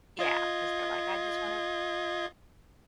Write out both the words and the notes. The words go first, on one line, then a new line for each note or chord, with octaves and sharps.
Yeah, 'cause they're like, "I just wanna
F4 D#5 G#6